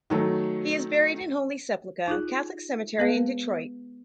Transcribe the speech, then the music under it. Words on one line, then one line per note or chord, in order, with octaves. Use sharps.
He is buried in Holy Sepulchre Catholic Cemetery in Detroit.
D#3 F#3 A3
D#4 F4 G#4
G#3 B3 G#4 B4 F5